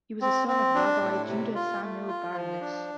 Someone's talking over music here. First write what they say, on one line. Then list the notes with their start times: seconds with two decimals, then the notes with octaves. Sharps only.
He was a son of Rabbi Judah Samuel Barondess.
0.21 C4
0.48 C4
0.75 D4
1.01 A2
1.28 C3
1.55 F4
1.81 A3
2.08 F4
2.34 F3
2.61 D4